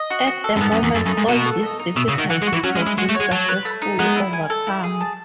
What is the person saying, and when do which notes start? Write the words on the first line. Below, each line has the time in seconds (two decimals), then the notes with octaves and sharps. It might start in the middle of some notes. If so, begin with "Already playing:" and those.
At the moment all these difficulties have been successfully overcome.
Already playing: D#5
0.10 F#4
0.27 F#4
0.44 A4
0.56 F#2
0.61 G#2 B3
0.72 F#2
0.78 E2 D#4
0.94 F#2 A3
1.06 F#2
1.12 D#4
1.18 G#2
1.28 B2 F#5
1.45 A4
1.63 D#5
1.79 D#4
1.96 B2 E5
2.08 C#3
2.13 F#4
2.18 D#3
2.30 E3 F#5
2.42 G#3
2.47 F#4
2.53 E3
2.63 F#3 C#4
2.75 G#3
2.81 E4
2.86 G#3
2.98 G#3 F#4
3.09 A3
3.15 C#5
3.20 G#3
3.31 F#3 A5
3.49 B4
3.65 A3
3.82 D#4
3.99 G#3 B3
4.16 E4
4.33 G#5
4.50 A4
4.67 E4
4.84 G#4
5.01 A5